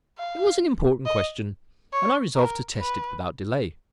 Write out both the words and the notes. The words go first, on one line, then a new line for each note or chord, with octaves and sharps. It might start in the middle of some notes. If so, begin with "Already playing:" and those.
It was an important question and I resolved to test it without delay.
F5
D#5
C#5
A#4
B4